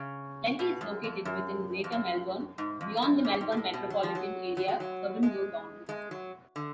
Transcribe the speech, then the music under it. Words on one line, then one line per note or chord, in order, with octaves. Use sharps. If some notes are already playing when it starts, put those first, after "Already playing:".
Plenty is located within Greater Melbourne, beyond the Melbourne metropolitan area Urban Growth Boundary.
Already playing: C#3
B2
F#2
F2
F#2
F2
F#2
G#2
F2
G#2
F#2
G#2
G#2
B2
A2
B2
F#3
F3
F#3
F#3
G#3
F#3
G#3
G#3
F#3
D3